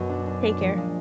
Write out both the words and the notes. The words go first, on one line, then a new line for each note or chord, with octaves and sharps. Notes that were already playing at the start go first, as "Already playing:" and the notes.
Take care.
Already playing: F#2 B2
D4
D4
D4
A#2 F3
G#3